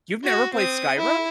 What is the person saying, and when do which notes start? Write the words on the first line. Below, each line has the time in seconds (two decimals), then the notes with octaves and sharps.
You've never played Skyrim?
0.24 F#4
0.54 C4 D#6
0.97 E4